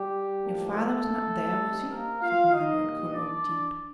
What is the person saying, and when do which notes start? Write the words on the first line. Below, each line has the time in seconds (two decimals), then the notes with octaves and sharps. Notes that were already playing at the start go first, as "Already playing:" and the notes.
'Your father was not there, was he?' said Margaret, colouring deep.
Already playing: G3 G4
0.42 A2 F3 A#3 D4
0.72 A3 A4
1.62 C3 G3 C4 D#4
1.92 A#3 A#4
2.22 F4 F5
2.52 D#4 D#5
2.82 A#2 G3 A#3 D#4
3.12 D4 D5